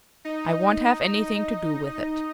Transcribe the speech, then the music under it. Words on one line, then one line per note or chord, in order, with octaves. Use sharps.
"I won't have anything to do with it."
D#4 D#5